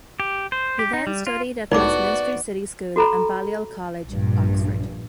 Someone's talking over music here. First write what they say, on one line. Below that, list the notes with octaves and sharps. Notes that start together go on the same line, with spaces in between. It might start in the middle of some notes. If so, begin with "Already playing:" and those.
He then studied at Westminster City School and Balliol College, Oxford.
G4
C5
G4
D#4
G3
F4
C2 A2 B3 D#4 F#4 D5 B5 D6
F#4 A4 A#5 B5
A#1 G2